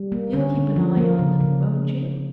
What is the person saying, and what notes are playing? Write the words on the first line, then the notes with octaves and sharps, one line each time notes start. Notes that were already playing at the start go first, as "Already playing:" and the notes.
You'll keep an eye on them, won't you?
Already playing: G3
A#3
D3 C#4
D3
F3
A#3
C#3
C#3